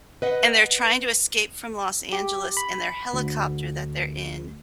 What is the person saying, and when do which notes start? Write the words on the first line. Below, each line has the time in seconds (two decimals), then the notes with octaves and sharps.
And they're trying to escape from Los Angeles, and their helicopter that they're in
0.22 B4 D#5 F#5
2.13 G4
2.57 B5
3.13 D2